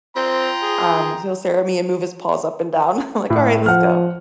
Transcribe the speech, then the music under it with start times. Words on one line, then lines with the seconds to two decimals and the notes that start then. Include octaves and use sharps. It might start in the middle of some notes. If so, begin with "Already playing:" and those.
Um, he'll stare at me and move his paws up and down. I'm like, "Alright, let's go."
0.16 C4 F4 G5 A#5
0.62 G#4
3.30 A2
3.66 F3 F#5 F6